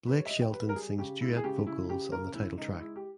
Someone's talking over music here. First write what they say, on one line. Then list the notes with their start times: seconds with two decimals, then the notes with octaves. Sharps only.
Blake Shelton sings duet vocals on the title track.
0.07 G3 B4
0.19 C#5
0.26 E5
0.30 G3 D#5
0.42 G5
0.53 G3 B4
0.69 A#4
0.75 G3 G#4
0.98 C#3 G4
1.21 G#3 E4
1.36 G#4
1.44 C#3 G4
1.66 C#3 E4
1.89 C#3 G4
2.12 C#3 A#4
2.34 C#3 E4
2.57 G#3 D#4
2.80 G#3 E4
2.96 G4